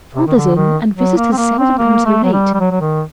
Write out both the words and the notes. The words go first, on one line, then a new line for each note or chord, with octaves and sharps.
"Father's in and visitors seldom come so late."
C3
D#3
D3
D#3
F#3
A#3
C4
A#3
C4
A#3
A3
F#3
G3
G3
F#3
F#3
D#3